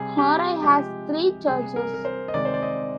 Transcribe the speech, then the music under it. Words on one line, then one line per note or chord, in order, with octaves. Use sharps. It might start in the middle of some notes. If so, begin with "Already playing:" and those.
Gorai has three churches.
Already playing: C3 G3 G#4
G4
C3 F3 G#3 G4
C3 G3 G#4
A#4
A#4
C5
D#5
C3 D#3 G#3 D5
C5
D5
D#5